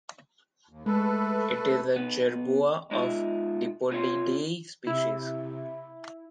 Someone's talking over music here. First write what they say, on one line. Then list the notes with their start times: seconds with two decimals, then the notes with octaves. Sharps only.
It is a jerboa of the Dipodidae species.
0.69 D#2
0.86 G#3 A3 A4 B4
1.96 B1 B3
2.91 G#3 D#4 F4 E5
3.91 C4 F4 C#5 F5 C6
4.87 C3 E4